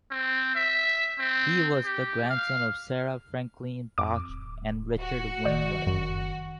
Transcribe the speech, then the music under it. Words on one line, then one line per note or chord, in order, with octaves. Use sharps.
He was the grandson of Sarah Franklin Bache and Richard Wainwright.
C4
E5
C4
G4
F5
F2 D6
D1
F#4
F1 D#3 D5
F#1 F#2